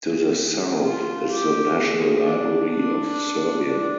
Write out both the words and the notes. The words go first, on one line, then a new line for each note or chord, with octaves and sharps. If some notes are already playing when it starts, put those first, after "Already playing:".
To the south is the National Library of Serbia.
G#4
G#4
F4
G4
G#4
D4
D4
D4